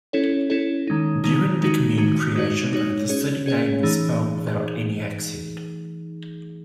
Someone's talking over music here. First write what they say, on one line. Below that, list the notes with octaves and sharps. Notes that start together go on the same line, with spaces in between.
During the commune creation, the city name was spelled without any accent.
C#4 E4 A4 C#5
C#4 E4 A4 C#5
D#3 G#3 D#4
D#3 G#3 D#4
D#3 G#3 D#4 F#4
D#3 G#3 D#4 F#4
G#3 D#4 F#4 C#5
G#3 D#4 F#4 C#5
C#4 G#4 C#5
C#4 G#4 C#5
E3 A3 D#4 G#4